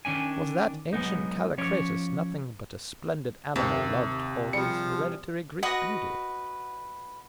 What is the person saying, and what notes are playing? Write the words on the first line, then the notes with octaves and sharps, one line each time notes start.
Was that ancient Kallikrates nothing but a splendid animal loved for his hereditary Greek beauty?
D#3 C#4 D4 G#5
F#3 G#3 B3 D#4
F3 C#4 C#5 D5
D#2 C3
F3 G3 G#4 C#7
F#4 B4 D#5 D#6